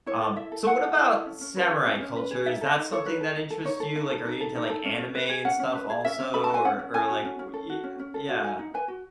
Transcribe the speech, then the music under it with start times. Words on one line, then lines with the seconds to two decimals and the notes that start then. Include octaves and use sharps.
um so what about samurai culture, is that something that interests you, like, are you into, like, anime and stuff, also, or or, like, wh i yeah,
0.06 E4 C#5
0.21 A4
0.36 E4 E5
0.52 A4
0.66 E4 F#5
0.81 A4
0.97 E4
1.11 A4
1.26 C#4
1.41 C#4
1.57 B4
1.70 G#4
1.86 C#4
2.01 C#4
2.16 B4
2.31 G#4
2.46 D#4 E5
2.61 A4 D#5
2.76 D#4
2.91 A4 C#5
3.06 D#4 B4
3.21 A4
3.36 D#4
3.50 A4
3.65 D#4 C#5
3.80 A4
3.96 D#4
4.10 A4
4.25 D#4
4.41 A4
4.55 D#4
4.70 A4
4.85 C#4
4.99 C#4
5.15 B4
5.29 G#4
5.45 C#4 F#5
5.60 C#4
5.75 B4
5.90 G#4
6.05 C#4 E5
6.19 C#4
6.34 A4 B5
6.44 A5
6.50 F#4 G#5
6.65 C#4 F#5
6.79 C#4
6.94 A4 G#5
7.09 F#4
7.25 C#4
7.39 C#4
7.54 A4
7.70 F#4
7.84 C#4
7.99 C#4
8.14 A4
8.29 F#4
8.44 D#4 G#5
8.59 D#4
8.74 B4 G#5
8.88 F#4